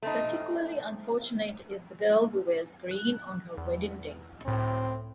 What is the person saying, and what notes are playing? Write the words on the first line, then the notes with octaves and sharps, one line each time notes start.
Particularly unfortunate is the girl who wears green on her wedding day.
A3 C4 D#4
F#6
E2
C#2 A2 C4